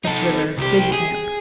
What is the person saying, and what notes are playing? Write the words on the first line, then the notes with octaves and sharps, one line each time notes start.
Soot's River.--Good camp.
D#4 A4
C2 G4
G#4